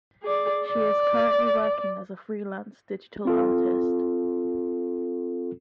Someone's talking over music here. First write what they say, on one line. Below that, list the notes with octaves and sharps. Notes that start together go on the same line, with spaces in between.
She is currently working as a freelance digital artist.
G#4 D5
D5
C4 F4 A4